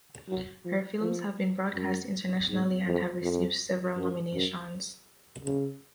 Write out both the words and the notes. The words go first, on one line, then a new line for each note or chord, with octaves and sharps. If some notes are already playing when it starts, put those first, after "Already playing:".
Her films have been broadcast internationally and have received several nominations.
F#3
F3
F3
F#2
G#2
F2
F2
F#2
F#2
C#3